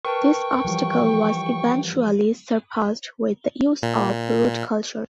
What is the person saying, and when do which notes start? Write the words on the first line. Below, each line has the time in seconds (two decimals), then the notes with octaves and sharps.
This obstacle was eventually surpassed with the use of root cultures.
0.05 A#4 B4 G5 A5 C#6
0.64 E3 F3 G3
3.83 A#2